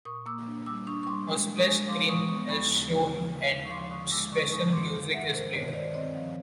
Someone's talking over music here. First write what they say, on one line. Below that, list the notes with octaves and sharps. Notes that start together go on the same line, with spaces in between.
A splash screen is shown and special music is played.
A#2 C#6 D#6
A#3 D6 E6
D4
G3 D6 E6
D4 C#6 D#6
C#6
G3 C6 D6
G#3
G#3
C#6 D#6
G#3
F3 C6 D6
G#3 C#6 D#6
B3 C#6 D#6
D#2 B5 C#6
C#3
C#3
C#3
C#3
D#2
C#6
F3 C6 D6
D3 C#6 D#6
G#3 D6 E6
D3 C#6 D#6
G#3 C#6 D#6
F#2 C6 D6
D#3
D#3 E5 F#5
G2 A#4 C5
D#3 B4 C#5
D#3 C5 D5
C4 C#5 D#5
F3